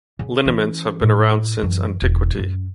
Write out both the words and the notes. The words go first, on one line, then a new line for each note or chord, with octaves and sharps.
Liniments have been around since antiquity.
C#3
E3 C#4
A2
F#2 E3
E1
F#2